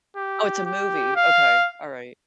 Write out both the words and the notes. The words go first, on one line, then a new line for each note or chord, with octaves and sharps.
Oh, it's a movie, okay, all right.
G4
G4
F5